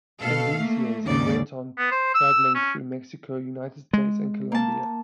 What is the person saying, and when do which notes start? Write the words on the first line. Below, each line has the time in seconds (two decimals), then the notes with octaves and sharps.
In these years, he went on traveling through Mexico, United States and Colombia.
0.21 B2 A4 F5
0.57 A3 A#3
1.04 D#2 G#2 C#3 D5
1.78 B3
1.91 C5
2.14 E6
2.55 C#4
3.93 G#3
4.52 A#3 A5